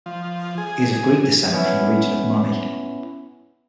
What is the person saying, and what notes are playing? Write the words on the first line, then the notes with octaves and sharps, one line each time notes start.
He is of Greek descent from the region of Mani.
F3
G#4
B3 C#4 E4